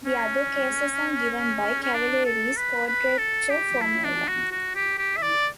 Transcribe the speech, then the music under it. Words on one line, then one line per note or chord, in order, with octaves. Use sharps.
The other cases are given by Cavalieri's quadrature formula.
C#4
C#4
D4
A4
B4
B4
A4
G4
E4
D4
F#4
F#4
G4
G4
E5
D5